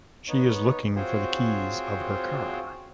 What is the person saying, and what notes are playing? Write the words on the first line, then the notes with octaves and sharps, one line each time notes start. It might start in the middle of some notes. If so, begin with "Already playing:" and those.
She is looking for the keys of her car.
B3 D#4 C#5
C4 F4 F#4 G#4 C5 C#5